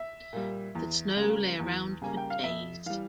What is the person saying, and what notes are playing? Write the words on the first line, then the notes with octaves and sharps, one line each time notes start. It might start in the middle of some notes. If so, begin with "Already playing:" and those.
The snow lay around for days.
Already playing: E5
A#2 G3
E2
C#3 G3 A#3
E2
C#3 G3 A#3 G#5
G5
F5
F2 E5
E3 G3 F5